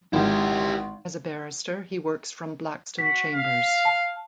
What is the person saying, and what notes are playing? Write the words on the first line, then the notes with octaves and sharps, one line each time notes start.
As a barrister he works from Blackstone Chambers.
G#1 E4 G4
F#4 B6
F5
A5